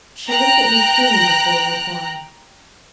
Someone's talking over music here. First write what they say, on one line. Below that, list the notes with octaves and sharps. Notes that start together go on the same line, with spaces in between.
She looked at me keenly before replying.
G5 A#5 F#6